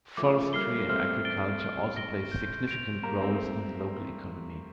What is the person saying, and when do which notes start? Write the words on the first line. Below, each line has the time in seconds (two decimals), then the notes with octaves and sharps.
Forestry and agriculture also play significant roles in the local economy.
0.17 F3 A3 D6
0.47 A3
0.53 G3 A#3 F6 C7 G7
0.79 A#3
0.89 A3 C4 F6
1.25 A6 D7 G7
1.61 F6
1.96 A#6 D7 G7
2.32 G6
2.68 D7 F7
3.03 G3 A#3 A#5
3.13 A#3
3.21 A3 C4